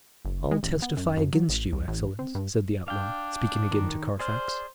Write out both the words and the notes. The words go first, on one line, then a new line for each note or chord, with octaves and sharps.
"All testify against you, excellence," said the outlaw, speaking again to Carfax.
F#1
G#3
A1
B3
F#2
F#2
F#3
A1
C2
A1
C4
G2
D4 F5 G5
D#3
G#4 C5 D5 F6